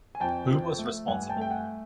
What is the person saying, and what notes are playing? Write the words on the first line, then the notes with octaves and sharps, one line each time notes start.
Who was responsible?
G#5
F2 G5 A5
F3
A3
G2 F#5 G#5
G#5
G5 A5
A3
G5
F#5 G#5